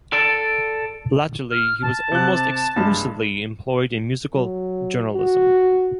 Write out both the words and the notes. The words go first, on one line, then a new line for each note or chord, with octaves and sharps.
Latterly he was almost exclusively employed in musical journalism.
A4 D5
F6
A5
C3 F#6
G2 G#3
F#3
F#4